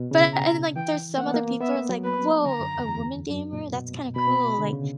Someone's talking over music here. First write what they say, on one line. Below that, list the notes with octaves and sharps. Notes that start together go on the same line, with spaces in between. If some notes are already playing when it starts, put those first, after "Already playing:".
But and then, like, there's some other people are like, "Woah, a woman gamer? That's kinda cool," like
Already playing: B2
C#3
A#5
E3 G5
A#3 F#5
B3
A#3
B3 E5
A#3
F#3
B4
D3 A#5
F#2
E2
E2
F#2
A#2
B2
B2 B5
D3
C#3